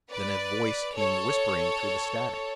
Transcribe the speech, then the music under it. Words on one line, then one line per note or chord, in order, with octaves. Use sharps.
Then a voice came whispering through the static.
B4 D5
A4 C#5